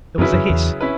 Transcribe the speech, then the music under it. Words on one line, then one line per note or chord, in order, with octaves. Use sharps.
There was a hiss.
F#2 C#3 F#3 C#4 E4 B4
F#2
E2
C#4 E4 B4